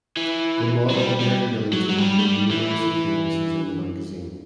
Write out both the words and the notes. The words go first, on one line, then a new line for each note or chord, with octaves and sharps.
The model Mary Millington made numerous appearances in the magazine.
E3
F#3
G3
G3
F#3
F#3
G3
A3
G3
E3